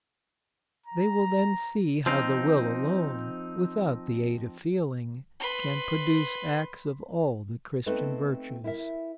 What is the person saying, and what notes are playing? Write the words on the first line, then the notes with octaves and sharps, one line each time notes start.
They will then see how the will alone, without the aid of feeling, can produce acts of all the christian virtues.
A#5
F3 C4 D#4
B4 C6
A3 B3 C4 D#4 A4 B4
E4 A#4 E5